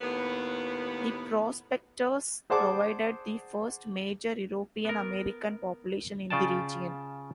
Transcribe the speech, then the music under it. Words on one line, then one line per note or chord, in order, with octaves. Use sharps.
The prospectors provided the first major European-American population in the region.
D#2 A2 B3
G#4 C5 D5 F#5 A5 D6
B3 A#4
C#3 F4 D5 G5 A5